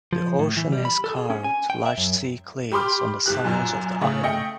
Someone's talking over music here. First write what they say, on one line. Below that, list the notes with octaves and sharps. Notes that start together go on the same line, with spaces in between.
The ocean has carved large sea cliffs on the sides of the island.
F3
A2
E3
G3
B5
A4
G#4
C#4
G#5
G5
E5
F#2
G4 B5 C6 D6 F6
G#1 G4 F#6
F#2 A#2
C#3 A3
A3 D#5 G5 C#7